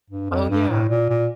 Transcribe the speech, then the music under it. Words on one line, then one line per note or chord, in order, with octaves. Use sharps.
Oh yeah,
G2
F2
G2
A2
A#2
A#2